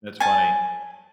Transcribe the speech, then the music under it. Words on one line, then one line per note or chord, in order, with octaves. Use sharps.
That's funny.
G#5 A5